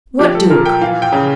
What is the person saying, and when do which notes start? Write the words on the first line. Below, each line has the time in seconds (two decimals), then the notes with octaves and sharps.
"What duke?"
0.19 F3 G4
0.35 A4
0.50 A#2 A#4
0.65 G5
0.81 E3 F5
1.02 G5
1.12 C#3